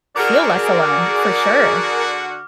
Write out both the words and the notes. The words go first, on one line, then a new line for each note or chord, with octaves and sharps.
feel less alone, for sure.
D3 F#4 G#4 A#4 D5 D6 F6